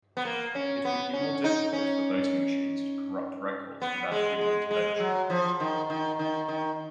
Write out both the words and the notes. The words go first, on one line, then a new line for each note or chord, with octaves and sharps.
It would be more difficult for voting machines to corrupt records without human intervention.
B3
A#3
C#4
B3
C#4
D#4
C#4
B3
G#3
G#3
G#3
F#3
F3
D#3
D#3
D#3
D#3